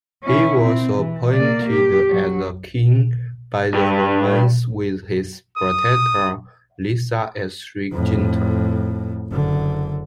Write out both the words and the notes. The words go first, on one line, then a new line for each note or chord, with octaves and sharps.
He was appointed as King by the Romans with his protector Lysias as regent.
C#4 E4
C4
E3
A#3 D5
G4
F#3
G2
D#6
F2 A2
F#1 D3